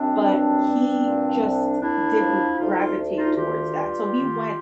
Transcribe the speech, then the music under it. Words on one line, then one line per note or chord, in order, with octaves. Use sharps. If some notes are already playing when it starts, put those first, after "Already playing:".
but he just didn't gravitate towards that. So, he went
Already playing: F#2 D#3 C4 D4
G2
G2
A#2
C2
D#2 D4 E4
F3
D2 D#4 F4
D#4 F4
D2
D#4 F4
D#3 F4 G4
G2
D#3